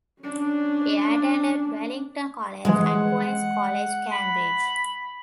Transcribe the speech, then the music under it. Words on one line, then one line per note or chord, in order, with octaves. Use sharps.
He attended Wellington College and Queens' College, Cambridge.
C#4 D4
C3 E3 G#3 F#5
B5